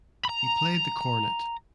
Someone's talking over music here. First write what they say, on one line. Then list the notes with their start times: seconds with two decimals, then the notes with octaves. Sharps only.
He played the cornet.
0.25 A#5 B5